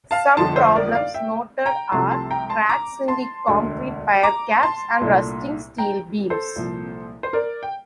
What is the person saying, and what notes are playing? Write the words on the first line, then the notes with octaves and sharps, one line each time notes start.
Some problems noted are cracks in the concrete pier caps and rusting steel beams.
F5 A5
G1 F2 D3 F3 A5 C6
C5 E5
A#4 D5
D5 F5
E5 G5
G5 A#5
C2 C3 F3 A3 C4 A5 C6
A5 C6
G5 A#5
A5 C6
A#5 D6
A5 C6
E1 D2 D3
A#5 D6
A5 C6
C2 A#2 A3 D4
G5 A#5
A4 C5
C2 A#2 F3
C5
A#4 D5
G5